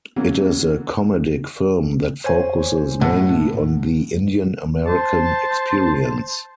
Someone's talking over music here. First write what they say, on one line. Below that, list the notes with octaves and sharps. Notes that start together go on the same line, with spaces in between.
It is a comedic film that focuses mainly on the Indian American experience.
C#3 E3 F#3 A#3 C#4
C5 C#5 G#5
A2 F#5
C5 A5